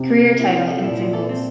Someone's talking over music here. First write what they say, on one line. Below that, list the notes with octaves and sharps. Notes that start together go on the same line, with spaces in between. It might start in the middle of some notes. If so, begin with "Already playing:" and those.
Career title in singles.
Already playing: C3
A#2
A#2
E4
F3
A4
A#2 E4
F3
A4
C4